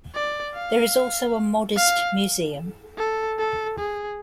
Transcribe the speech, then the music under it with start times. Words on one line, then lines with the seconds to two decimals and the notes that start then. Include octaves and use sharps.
There is also a modest museum.
0.15 D5
0.55 F5
1.76 F5
2.98 A4
3.39 A4
3.79 G#4